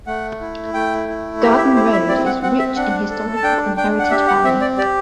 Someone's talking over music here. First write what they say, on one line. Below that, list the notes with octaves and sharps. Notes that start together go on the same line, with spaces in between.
Garden Road is rich in historical and heritage value.
A3 F#5
E4
A3 G5
E4
G4 E5
E5
E4 C5
E5
C4 D5
F#5
C4 F#5
E5
D4 F#5
A4
A5
D4 G5
D4 G5
F#5
G4 E5
F#5
C4 E5
D5
G4 D5